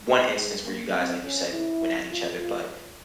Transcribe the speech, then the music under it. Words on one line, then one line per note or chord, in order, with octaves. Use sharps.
one instance where you guys, like you said, went at each other, but,
G#3
A#3
C4
C#4
E4
F4
F4